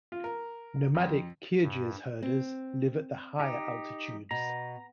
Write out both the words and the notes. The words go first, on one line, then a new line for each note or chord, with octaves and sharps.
Nomadic Kyrgyz herders live at the higher altitudes.
F4
A#4
F2
G2
C4
D#4 G4
B2 A#5